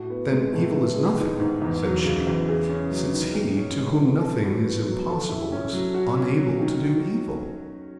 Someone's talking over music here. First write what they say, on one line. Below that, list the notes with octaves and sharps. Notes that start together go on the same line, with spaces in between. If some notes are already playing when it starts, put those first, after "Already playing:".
'Then, evil is nothing,' said she, 'since He to whom nothing is impossible is unable to do evil.'
Already playing: A2 F#4
B3
G#3
A2
B3
G#3
D#3
G#2
E2
F#3
C#3
E2
G#4
C#4
F#3
D#3
G#4
C#4
G#3
E3
A4
F#4
B3
F#3
A4
E4
C#4
F#3
F#4
C#4
F#3
D#3